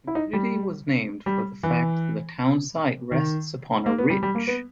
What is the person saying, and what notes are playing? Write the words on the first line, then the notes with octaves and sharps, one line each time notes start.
The community was named for the fact the town site rests upon a ridge.
E4
D#4
G3
G3
E3
D#3
A#3
B3
G3
G3
A#3
B3